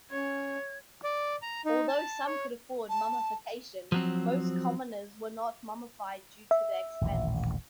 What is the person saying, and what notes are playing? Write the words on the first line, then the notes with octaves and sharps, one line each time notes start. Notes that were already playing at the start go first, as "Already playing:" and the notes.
Although some could afford mummification, most commoners were not mummified due to the expense.
C#4 C#5 G#6
D5
A#5
D#4
A5
C#5
A5
F3 F#3 C4
E5
D#1 A1 D3